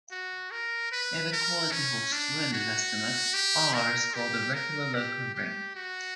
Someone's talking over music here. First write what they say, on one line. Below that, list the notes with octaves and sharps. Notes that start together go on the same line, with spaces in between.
If equality holds true in this estimate, "R" is called a regular local ring.
F#4
A#4
B4
A#4
C#4
D4
F#4
G4
A#4
G4
A#4
G4
G4
F#4